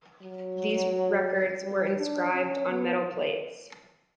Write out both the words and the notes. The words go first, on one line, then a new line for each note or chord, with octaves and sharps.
These records were inscribed on metal plates.
F#3
G3
D4
C#4
B3